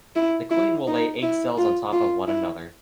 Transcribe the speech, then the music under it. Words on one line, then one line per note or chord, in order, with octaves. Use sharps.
The queen will lay egg cells on top of one another.
E4
E4
D#4
E4
F4
F4
E4